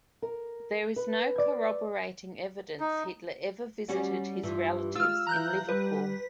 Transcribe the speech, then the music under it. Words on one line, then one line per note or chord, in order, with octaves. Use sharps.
There is no corroborating evidence Hitler ever visited his relatives in Liverpool.
A#4
B4
D5 G#6
D#4
G3 C#4 F#4
G2 E3 F4
G#3 F4 E6 F6
E3 A#5 F#6 G6
G3 B4